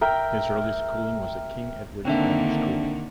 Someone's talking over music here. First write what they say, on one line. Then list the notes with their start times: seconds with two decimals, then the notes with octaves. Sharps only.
His early schooling was at King Edwards Grammar School.
0.01 A#4 E5 G5
2.05 D3 D#3 A#3 C4 D4 E5